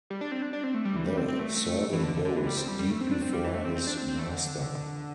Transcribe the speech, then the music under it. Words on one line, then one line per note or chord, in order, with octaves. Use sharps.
The servant bows deep before his master.
G3
D4
C4
D4
D4
C4
A3
G3
E3
G3
C4
C4
A3
E3
D3
D3
D3
E3
G3
C4
G3
G3
A3
C4
D4
C4
G3
E3
A3
C4
C4
D4
C4
C4
A3
D3